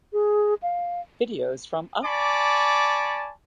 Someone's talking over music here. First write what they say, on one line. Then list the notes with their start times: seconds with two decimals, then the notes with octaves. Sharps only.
Videos from Up!
0.13 G#4
0.63 F5
2.04 D5 G#5 A5 B5 C#6 D6